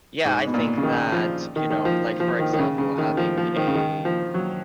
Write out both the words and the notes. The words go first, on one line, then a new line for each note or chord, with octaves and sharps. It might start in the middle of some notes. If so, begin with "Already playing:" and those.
Yeah, I think that you know, like, for example, having a
G#2
B2
A#2
C#3
D#3
F3
D#3
D#3
F3
F3
D#3
D#3
C#3
C#3
D#3
F3
F3
D#3
C#3
D#3
F3
F#3